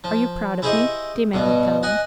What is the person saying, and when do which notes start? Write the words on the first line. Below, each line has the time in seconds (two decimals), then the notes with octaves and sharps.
"Are you proud of me?" demanded Dolly.
0.04 F3
0.62 E4 G4 G#4 C5 D#5 C#6
1.34 G2 B2
1.83 D#5 F#5 G#5